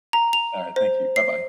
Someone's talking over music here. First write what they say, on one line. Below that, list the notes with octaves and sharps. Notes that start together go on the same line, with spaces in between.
All right. Thank you. Bye-bye.
A#5
F7
C5
C7